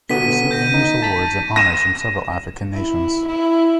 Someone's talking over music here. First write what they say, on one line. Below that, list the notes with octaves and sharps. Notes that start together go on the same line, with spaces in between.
She received numerous awards and honours from several African nations.
B2 D3 B3 B6 D#7
G6 A#6 D#7
D#4
A5 B6
A#6 D#7 E7
E4
E4